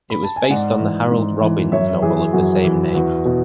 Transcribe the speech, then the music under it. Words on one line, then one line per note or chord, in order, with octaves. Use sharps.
It was based on the Harold Robbins novel of the same name.
B5
A5
G#5
G#2 D5 F#5
E3
G#2
E3
F#2 C#5 E5
E3 G#4
F#2 F#4
E3
E2 F#4
B2